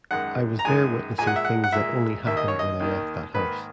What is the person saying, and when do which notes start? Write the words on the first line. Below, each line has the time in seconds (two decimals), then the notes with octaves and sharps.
I was there witnessing things that only happened when I left that house.
0.11 F#2 D#3 G#3 F#5
0.59 A#5
0.65 F#2 D#3 G#3 G#5
1.18 A#2 G#3 G#5
1.27 F#5
1.36 E5
1.45 F#5
1.64 F#5
1.72 A#2 G#3 E5
2.26 D#2 D#3 A#3 E5
2.37 D#5
2.48 C#5
2.59 D#5
2.80 D#2 D#3 A#3
3.34 G#2 D#3 A#3 B4